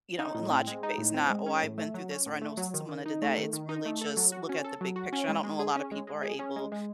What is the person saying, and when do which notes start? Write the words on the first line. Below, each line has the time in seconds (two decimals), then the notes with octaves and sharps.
you know, and logic-based not, "Oh, I've been through this, or I know someone that did that." It's really just look at the big picture. I don't know a lotta people are able
0.19 D#4
0.34 A2
0.51 C4
0.67 G#3
0.83 D#4
0.98 A2
1.14 C4
1.30 G#3
1.46 C#4
1.63 A2
1.78 A3
1.94 F#3
2.10 C#4
2.26 A2
2.41 A3
2.57 F#3
2.74 D#3
2.89 D#3
3.06 D#4
3.22 A3
3.38 D#3
3.53 D#3
3.69 D#4
3.85 A3
4.01 A4
4.17 F#3
4.32 F#4
4.49 C#4
4.64 A4
4.81 F#3
4.96 F#4
5.13 C#4
5.28 G#3
5.43 G#3
5.59 G#4
5.76 C#4
5.92 G#3
6.07 G#3
6.23 G#4
6.39 C#4
6.56 G#3
6.72 G#3